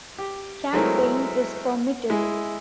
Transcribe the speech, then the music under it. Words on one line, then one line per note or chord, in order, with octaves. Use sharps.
Camping is permitted.
G4
F#3 G#3 A3 C4 E4 A#4
G#3 E4